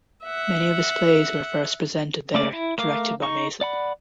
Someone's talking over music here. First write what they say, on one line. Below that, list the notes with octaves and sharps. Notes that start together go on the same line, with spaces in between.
Many of his plays were first presented there, directed by Mason.
E5 F#5
C#3 A3 A#3 D5
E4
A3 A#4 F5 D6
D#4 C#6
D5 F#5 B5